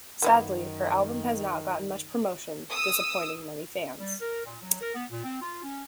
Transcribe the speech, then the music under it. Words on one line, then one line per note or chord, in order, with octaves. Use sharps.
Sadly, her album has not gotten much promotion, disappointing many fans.
F#2 D#3 A#3 B3 E4
D#6 E6
G3
A#4
A#2
F#3
A#4
B3
A#2
C4
F4
C#4